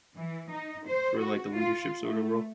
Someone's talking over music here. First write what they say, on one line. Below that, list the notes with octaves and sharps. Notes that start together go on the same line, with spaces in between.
for, like, the leadership sort of role?
E3
D#4
C5
F#4
F4
A3